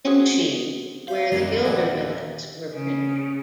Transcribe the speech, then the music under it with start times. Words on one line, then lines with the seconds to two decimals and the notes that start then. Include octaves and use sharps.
Enschede where the guilder billets were printed.
0.05 C4 F#4 G#4
1.08 C5 E5 F5
1.32 F#2 D#3 G3 A#3 G4 D#5 G#6
1.65 A#1 E4 D5 D#5 F#5 G#5
2.73 C#3